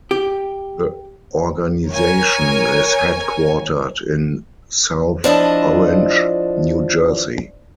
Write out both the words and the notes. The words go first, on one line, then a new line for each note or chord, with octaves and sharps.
The organization is headquartered in South Orange, New Jersey.
G4
A#4 C#5 G#5
F3 D4 E4 D#5